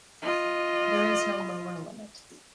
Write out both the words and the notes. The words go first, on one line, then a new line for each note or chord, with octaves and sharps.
There is no lower limit.
F4 D#5